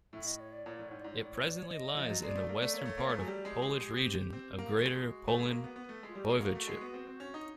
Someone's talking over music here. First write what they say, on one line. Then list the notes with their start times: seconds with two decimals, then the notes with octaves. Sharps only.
It presently lies in the western part of Polish region of Greater Poland Voivodeship.
0.13 A2 E5
0.26 D#5
0.40 C#5
0.52 D5
0.66 A#2 C#5
0.77 A2 D5
0.88 G#2 C#5
1.01 G#2 D5
1.12 C#5
1.17 A2
1.24 D5
1.34 C#5
1.46 D5
1.58 C#5
1.70 D#5
1.97 F3
2.09 F#3
2.22 G#3 D5
2.36 A3
2.49 A#3 D5
2.62 A3
2.73 A#3 C#5
2.85 A3
2.98 A#3
3.09 A3
3.17 F#3 G#4
3.27 G3 G4
3.45 G#3
3.62 G#3
3.80 G#3
3.97 C4
4.33 C4
4.59 A#3
4.78 A3 F4
4.84 G#3 F#4
5.28 A3
5.38 G#3
5.51 A#3
5.64 B3
5.76 B3
5.89 A3
6.03 G#3 F4
6.15 G3 G4
6.24 F#4
6.29 G#3
6.41 A#3
6.55 A3
6.67 G#3
6.81 B3
6.94 C4
7.07 C4
7.20 C#4
7.34 D#4